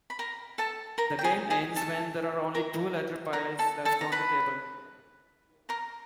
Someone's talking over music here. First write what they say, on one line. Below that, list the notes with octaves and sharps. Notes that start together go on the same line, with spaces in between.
The game ends when there are only two letter piles left on the table.
B5
A#4 A#5
A4 A5
A#4 A#5
G5
G#4 G#5
G#4 G#5
A4 A5
A#4 A#5
A#4 A#5
A4 A5
A4 A5
A#5
B4 B5
A#4 A#5